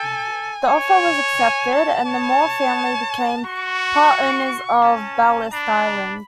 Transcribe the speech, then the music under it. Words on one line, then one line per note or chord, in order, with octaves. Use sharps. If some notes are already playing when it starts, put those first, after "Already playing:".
The offer was accepted and the Moore family became part owners of Ballast Island.
Already playing: A4 G#5
C#5
G#5
A5
C#5
F#4 C#6
C#4 A5
D4 B5